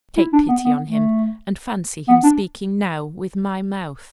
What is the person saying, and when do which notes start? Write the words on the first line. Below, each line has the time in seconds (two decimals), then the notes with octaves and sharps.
Take pity on him, and fancy him speaking now with my mouth.
0.17 E4
0.33 D4
0.49 B3
0.65 B3
0.88 A3
2.08 B3
2.23 D4